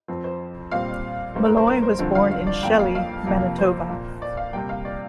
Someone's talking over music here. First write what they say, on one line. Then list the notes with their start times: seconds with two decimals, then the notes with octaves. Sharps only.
Molloy was born in Shelley, Manitoba.
0.08 F2 F3 C4
0.24 C5
0.71 A#2 G3 C4 F5
1.35 G2 G3 A#3 C5
1.46 A#4
1.57 C5
1.67 A#4
1.83 C5
1.99 G2 D3 F3 C4
2.15 F5
2.31 F5
2.47 D5
2.63 F2 F3 A#3 G5
2.79 F5
2.95 F5
3.26 F2 C3 F3 A#3
3.58 C5
3.90 A#2 A#3
4.22 D5
4.37 F5
4.53 C3 G3 A#3 G5
4.69 F5
4.85 D5